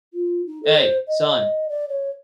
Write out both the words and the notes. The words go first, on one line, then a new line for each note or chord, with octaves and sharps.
"Hey, son,
F4
D#4
A4
C5
D#5
D5
C#5